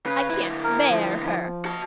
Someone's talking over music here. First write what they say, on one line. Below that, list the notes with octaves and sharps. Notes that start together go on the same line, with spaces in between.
I can't bear her.
C#3 B4
D3 E4
A#4
F3
F3
F#4 A5